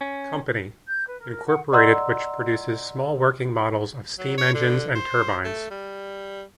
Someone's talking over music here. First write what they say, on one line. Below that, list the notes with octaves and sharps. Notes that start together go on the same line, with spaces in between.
Company, Incorporated which produces small working models of steam engines and turbines.
C#4
G6
B4
A#4
F#5
D5 D#5 F#5 A#5 C6 E6
F#3
C#5
D3
C5
A3
G3